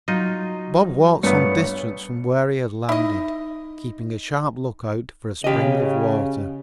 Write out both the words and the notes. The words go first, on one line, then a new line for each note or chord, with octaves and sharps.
Bob walked some distance from where he had landed, keeping a sharp lookout for a spring of water.
F#3 D#4 F4 D#5
G2 A#2 A3 B3 B4 C#5 C#7
D#4 E4 D#5
C#3 G4 D#5